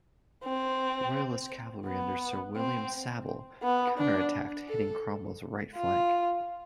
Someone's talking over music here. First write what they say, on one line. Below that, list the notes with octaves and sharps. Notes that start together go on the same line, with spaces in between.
Royalist cavalry under Sir William Savile counterattacked hitting Cromwell's right flank.
C4
B3
C4
B3
D4
A4
F4